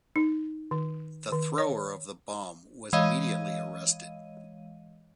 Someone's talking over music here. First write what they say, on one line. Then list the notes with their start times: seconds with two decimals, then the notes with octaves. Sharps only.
The thrower of the bomb was immediately arrested.
0.16 D#4
0.71 D#3
1.32 D#3
1.58 C#5
2.93 E3 G#3 C#5 D#5 F5 D#7